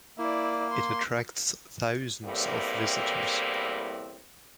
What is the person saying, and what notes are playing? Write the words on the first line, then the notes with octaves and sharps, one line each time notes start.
It attracts thousands of visitors.
A#3 E4 D5
C6
E2 A2 G3 A#3 C4